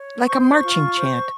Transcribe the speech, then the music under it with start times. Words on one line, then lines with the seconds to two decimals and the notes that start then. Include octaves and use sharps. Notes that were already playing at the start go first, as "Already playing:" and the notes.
like a marching chant?
Already playing: C#5
0.27 C5 C#6
0.41 C6
0.54 C#6
0.61 F4
0.95 C5